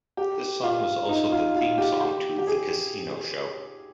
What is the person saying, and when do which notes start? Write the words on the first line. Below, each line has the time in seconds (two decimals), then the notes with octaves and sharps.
This song was also the theme song to "The Casino" show.
0.17 G4
0.63 F4
1.09 D#4
1.32 F4
1.56 F4
1.78 G4
2.01 G4
2.38 G4
2.47 G#4